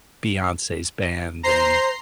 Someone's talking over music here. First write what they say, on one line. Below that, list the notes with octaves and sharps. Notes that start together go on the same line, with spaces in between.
Beyonce's band and
C5 A#5 C6 C7